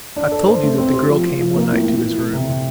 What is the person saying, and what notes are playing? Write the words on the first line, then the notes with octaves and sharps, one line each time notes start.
I have told you that the girl came one night to his room.
D4
A4
C5
A3
C4
G4
F3
F3
F3
A#3
A2
A2
E3
A3
C3
C3